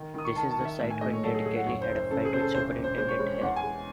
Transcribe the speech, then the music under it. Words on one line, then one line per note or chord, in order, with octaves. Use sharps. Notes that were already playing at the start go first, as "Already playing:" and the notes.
This is the site where Ned Kelly had a fight with Superintendent Hare.
Already playing: D#3
D#3 D#6
C#6
D#3 A5
A5
D#3
E5
A2 E5
G#5
A3 D#5
C#5
F#3 A4
G#4
A2 G#4
F#5
F#1 C#5
C5
F#1
C5
C#3 A4
G#4
C#3 C5
A4
E1 C5
E1
C5
G#3 C5
C#5
G#3
E2 F#5
G#5
G#3